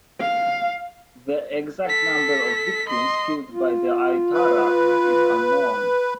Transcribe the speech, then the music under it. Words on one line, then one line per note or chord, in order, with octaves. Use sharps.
The exact number of victims killed by the Aitarak is unknown.
F5
A4 B6
D#5 C6
F4
B4